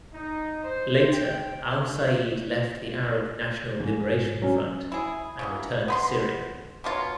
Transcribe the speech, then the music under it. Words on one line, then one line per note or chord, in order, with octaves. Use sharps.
Later Al Saeed left the Arab National Liberation Front and returned to Syria.
D#4
C5
G5
E2 G#2
F#3 C#4
E4 G#4
C#3 E3 F#3
B3 B5 C6
B2 A#3 F4 C#5